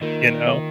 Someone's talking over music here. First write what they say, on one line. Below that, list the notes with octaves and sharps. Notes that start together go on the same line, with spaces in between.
You know?
D#3 A#3 F4 A#4 D#5